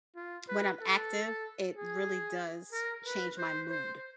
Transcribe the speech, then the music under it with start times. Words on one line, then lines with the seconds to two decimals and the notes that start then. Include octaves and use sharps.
when I'm active, it really does change my mood,
0.16 F4
0.49 B4
0.81 A4
1.77 G#4
2.73 A#4
3.06 B4
3.38 C5
3.70 C5